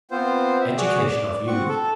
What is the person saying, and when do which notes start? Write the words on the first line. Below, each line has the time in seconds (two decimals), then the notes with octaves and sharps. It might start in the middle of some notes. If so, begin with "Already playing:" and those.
Education of Youth.
0.11 B3 C4 F4 C5
0.61 E5
0.77 F#4 G#4 D5
1.05 D5
1.47 C4 F#5 C#6
1.69 A4